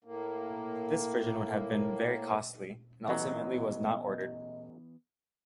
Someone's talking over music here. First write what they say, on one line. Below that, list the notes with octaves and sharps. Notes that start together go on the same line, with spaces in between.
This version would have been very costly, and ultimately was not ordered.
A2 A#3
A1 E2 E3 F#3 B3 D#5